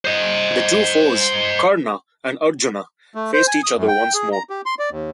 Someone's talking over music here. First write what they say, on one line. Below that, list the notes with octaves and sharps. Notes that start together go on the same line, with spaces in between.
The two foes, Karna and Arjuna faced each other once more.
C5 D#5
A3
C5
G#5
D#6
F#2
G5
G#4
A#5
G4
C6
D5
D#2